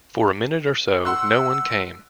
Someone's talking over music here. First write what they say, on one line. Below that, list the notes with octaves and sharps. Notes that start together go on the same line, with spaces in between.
For a minute or so no one came.
F#5 C6 E6 F#6